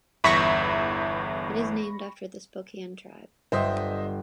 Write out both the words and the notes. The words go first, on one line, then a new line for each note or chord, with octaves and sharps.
It is named after the Spokane tribe.
G1 E2 E5 B5 C#6 A#6
G1 C5 D#5 E5 G5